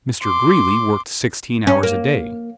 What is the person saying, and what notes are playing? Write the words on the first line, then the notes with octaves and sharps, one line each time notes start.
Mr. Greeley worked sixteen hours a day.
C6 D6
C#4
A#3